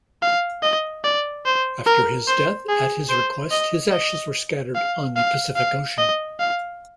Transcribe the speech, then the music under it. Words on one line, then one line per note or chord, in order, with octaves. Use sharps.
After his death, at his request, his ashes were scattered on the Pacific Ocean.
F5
D#5
D5
C5
A#4
C5
G#4
C5
D#5
D#5
F5
F5
F5
D#5
F5